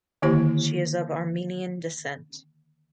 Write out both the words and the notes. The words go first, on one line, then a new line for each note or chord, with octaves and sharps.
She is of Armenian descent.
D3 D#3 A#3 E4 G4 C5